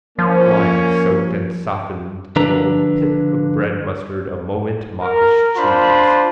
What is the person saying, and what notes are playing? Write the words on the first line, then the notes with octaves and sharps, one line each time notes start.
Wine soaked and softened rolled pith of bread mustard a moment mawkish cheese.
F3 A#3 C#4
D3 F3 D4 B4 A#5
A#4
D4 F4 C5 B5